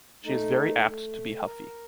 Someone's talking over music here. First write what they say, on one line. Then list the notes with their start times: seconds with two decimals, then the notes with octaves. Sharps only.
She is very apt to be huffy.
0.25 A3 D#4
0.88 A3
1.45 A#4